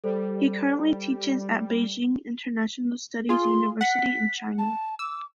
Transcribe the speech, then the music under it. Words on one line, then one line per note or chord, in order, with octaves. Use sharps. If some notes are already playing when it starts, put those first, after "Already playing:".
He currently teaches at Beijing International Studies University in China.
G3 A4 C5 D5
F4 G#4 C6
F#5 B6
A5
D6 E6